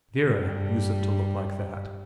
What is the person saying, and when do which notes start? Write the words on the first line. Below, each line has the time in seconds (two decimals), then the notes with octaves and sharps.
Vera usedn't to look like that.
0.25 G2 G3